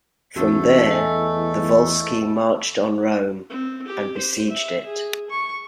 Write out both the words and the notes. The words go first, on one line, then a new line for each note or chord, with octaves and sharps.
From there the Volsci marched on Rome and besieged it.
E2 A3 C#4 D#4 F#4 A4
D#5 G#5
C4
G4
C5
E5
G#4
C#6